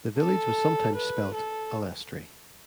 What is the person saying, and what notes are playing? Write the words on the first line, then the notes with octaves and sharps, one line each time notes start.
The village was sometimes spelt 'Alestry'.
A4
B4
A4